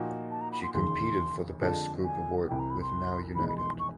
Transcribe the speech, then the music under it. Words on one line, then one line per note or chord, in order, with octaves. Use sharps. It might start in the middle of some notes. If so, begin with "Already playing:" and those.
She competed for the Best Group award with Now United.
Already playing: A#2 F3 A#3 D#4 F#4
A5
A#5
B5
C6
E1 D#2 C#3 C6
F2 D3 F3 G#3 A5
G#5
C2 C3 E3 G5
A#5
B5
C6
F1 E2 B2 G#3 B5
B5
C6
C#6